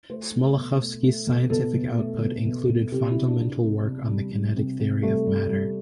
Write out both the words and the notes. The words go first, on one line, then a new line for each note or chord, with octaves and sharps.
Smoluchowski's scientific output included fundamental work on the kinetic theory of matter.
A3 C5
A3
B2
A3
A3
B2
B2 A4
B2
A3
B2
B2
B2
C3 G4
E4
C3
D4
C3
C3
C3
G3
G3
C3
C3
G3 A3
G3
G3